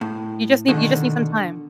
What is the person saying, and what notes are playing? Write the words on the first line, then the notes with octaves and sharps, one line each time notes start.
You just need you just need some time.
A2
B2 D3 D#3